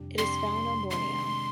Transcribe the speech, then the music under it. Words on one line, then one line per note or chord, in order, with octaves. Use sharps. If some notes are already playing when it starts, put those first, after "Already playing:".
It is found on Borneo.
Already playing: F2 C3 G3 D4 G4
F2 C3 G3 D4 G4 C6
C3 D#3 G#3 D4 C6